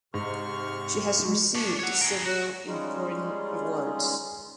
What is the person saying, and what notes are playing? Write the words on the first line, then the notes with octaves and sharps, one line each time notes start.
She has received several important awards.
G#2 C3 C#6 F6
G#3
D4 C#5
C#5 F#5
G#4 A#4
F#4
G3 G#3 C#4 D#4 F4 G#4